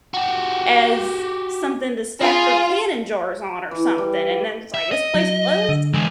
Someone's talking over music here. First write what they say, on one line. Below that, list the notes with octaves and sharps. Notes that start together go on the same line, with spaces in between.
as something to stack her canning jars on or something, and then it's like, "This place closed?"
F#4 G4
F4 G#4
E3
G3
E5
D#5
F#3
D3
E3 G#3